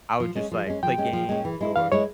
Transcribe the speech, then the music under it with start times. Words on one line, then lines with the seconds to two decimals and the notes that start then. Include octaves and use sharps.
I would just, like, play games or
0.20 F3
0.35 G#3 C#4
0.52 F3
0.67 G#3 C#4
0.83 F3 G5
0.98 G#3 C#4
1.13 F3
1.29 G#3 C#4
1.45 E3
1.61 G#3 E4
1.76 E3 F5
1.92 G#3 E4 C#5